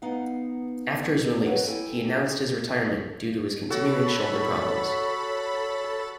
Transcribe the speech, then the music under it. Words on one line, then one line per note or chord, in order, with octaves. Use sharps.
After his release, he announced his retirement due to continuing shoulder problems.
B3 D#4 F5 F#5
A#3 C4 B4 C#5 F#5
E4 A4 G5 G#5
F#4 A4 C#5 B5 A6